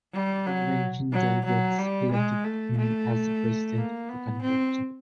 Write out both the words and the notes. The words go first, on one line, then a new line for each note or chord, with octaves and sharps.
The convention delegates elected him as the President of the Convention.
G3
F#3
F#3
F#3
G3
G#3
A3
A3
A#3
B3
C4